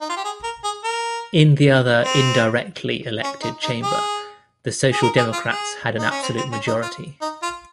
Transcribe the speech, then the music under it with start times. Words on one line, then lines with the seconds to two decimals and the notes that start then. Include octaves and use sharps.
In the other indirectly elected chamber the Social Democrats had an absolute majority.
0.01 D#4
0.09 F4
0.16 G4
0.24 G#4
0.43 A#4
0.64 G#4
0.84 A#4
2.04 C4
3.23 C#4
3.43 D#4
3.63 D#4
3.83 G#4
4.93 G#4
5.03 A#4
5.17 G#4
5.33 F4
5.48 G#4
5.99 D#4
6.11 C#4
6.22 C4
6.37 C4
6.52 C#4
6.67 D#4
6.82 F4
7.22 D#4
7.42 F4